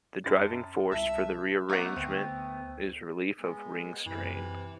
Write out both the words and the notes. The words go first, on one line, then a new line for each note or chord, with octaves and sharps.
The driving force for the rearrangement is relief of ring strain.
F#2 F#4 G5 A5 A6
C2 E5 A5
A3 B3 A#4 F#5 D6 G6
D2 C4 G5
G#3 B3
F#2 C3 E3